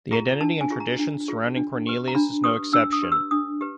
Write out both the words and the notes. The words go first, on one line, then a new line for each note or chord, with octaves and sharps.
The identity and traditions surrounding Cornelius is no exception.
F4 G#4 A#5
D4 A5
G#5
F4 G#4
A#5
D4
F4 G#4
D4
G4 B4
A#5
D4 B5
G4 B4 D#6
D4 E6
D#6
G4 B4
E6
D4 D#6
G4 B4